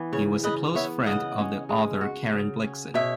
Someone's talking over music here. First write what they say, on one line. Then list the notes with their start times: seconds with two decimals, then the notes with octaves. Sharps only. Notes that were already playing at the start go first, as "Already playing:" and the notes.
He was a close friend of the author Karen Blixen.
Already playing: E3 B3
0.13 C#3 C#5
0.44 C#3 B4 D#5
0.75 B3 C#5 E5
1.06 C#3 D#5 F#5
1.38 C#4
1.69 G#3
2.01 F#4
2.32 C#3
2.64 C#4
2.94 B2 C#5 E5